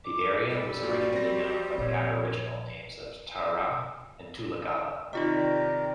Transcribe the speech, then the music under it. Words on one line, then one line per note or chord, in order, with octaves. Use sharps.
The area was originally known by the Aboriginal names of Tar-ra and Tullagalla.
D6
G3 A4
A#2 F#4
C4 A#6
A#1 C#5
C3 D#3 D#4 F4 G4 A#4 D5 D#5